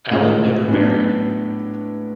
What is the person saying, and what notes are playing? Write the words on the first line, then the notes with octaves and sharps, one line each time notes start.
Allen never married.
A2 G#3 C#4 F4
A2 F#3 B3 D4